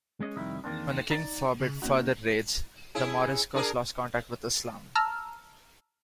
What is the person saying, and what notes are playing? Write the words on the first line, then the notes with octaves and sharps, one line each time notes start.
When the king forbid further raids, the Moriscos lost contact with Islam.
G#3 C#4 D#5
C2 F2 D#3 G3 D#4 E4
E2 D#3 A#3 C4 D4
D#4 D5 A#5
C#3
A#3 C#4 D#4 F#4
C#4 E4 G#4
D4 G#4 A#4
A5 A#5 E6 F6